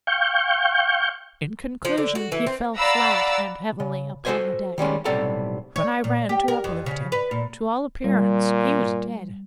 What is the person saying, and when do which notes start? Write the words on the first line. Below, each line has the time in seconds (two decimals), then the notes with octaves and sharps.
In conclusion, he fell flat and heavily upon the deck. When I ran to uplift him, to all appearance he was dead.
0.07 F5 G5 C#6 G6
1.85 F3
1.98 D3
2.15 F#4
2.32 E3
2.47 C4
2.77 D5 F5 F#5 A#5 B5 E6
3.80 C#3
4.25 F#4 A4 A#4 C5 D#5 G#5
4.78 D#3 G3 G#3 C#4
5.05 B1 A2 C3 G3 A4 A#5
5.76 C#5
6.04 A#2
6.29 G4
6.48 A#4
6.64 F2
6.86 C#3
7.12 B4
7.31 A#2
8.04 A#2 G3